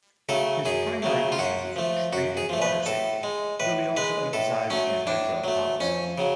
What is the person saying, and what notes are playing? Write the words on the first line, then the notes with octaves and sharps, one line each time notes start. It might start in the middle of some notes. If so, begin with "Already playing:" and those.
His primary issues were street and water safety, though he also emphasized anti-drug policies.
C#3 F#3 A3 A4
F#2 G#4
C#3 F#3 A3
F4
F#2 F#4
F3 A3
F#2 F#4
G#4
F3 A3
B4
A2 A4
G#3
A2 B4
G#3 B4
A2 A4
F#3 A3 C#4
A2 D4
F#3 A3
F2 C#4
C#3 F#3